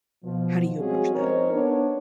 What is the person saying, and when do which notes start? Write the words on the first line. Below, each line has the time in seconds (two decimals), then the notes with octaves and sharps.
how do you approach that?
0.24 B2 F3
0.78 G3 G#3 C4 C#4 F#4 G#4
1.15 F2 C4 D#4 A#4 C5 C#5
1.53 B3 D4 C#5